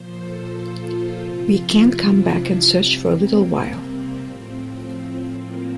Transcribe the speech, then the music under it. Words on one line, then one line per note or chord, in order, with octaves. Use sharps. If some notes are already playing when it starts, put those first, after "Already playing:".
We can't come back and search for a little while.
Already playing: A#2 F3 C5
A4
F4
F4
C3 F3 F4
E4
D4
C3 G3 C4
A#3
C4
A2 F3
A#3